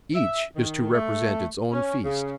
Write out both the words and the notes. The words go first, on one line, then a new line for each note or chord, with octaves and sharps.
Each is to represent its own feast.
E5
D#3
A3
C#4
C#3